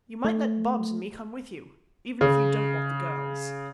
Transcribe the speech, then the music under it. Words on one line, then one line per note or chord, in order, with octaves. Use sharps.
You might let Bobs and me come with you - even if you don't want the girls.'
A3
C#3